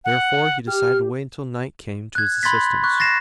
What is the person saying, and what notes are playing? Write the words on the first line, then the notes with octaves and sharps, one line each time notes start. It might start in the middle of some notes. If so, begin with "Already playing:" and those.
Therefore, he decided to wait until night came to his assistance.
F#5
G4 F6
F#6 G#6
B5 C6 G#6 A6 B6
C#6 F#6
A6 A#6 C7 E7